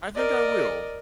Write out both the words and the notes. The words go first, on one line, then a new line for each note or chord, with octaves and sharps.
I think I will.
A#4 D5 D#5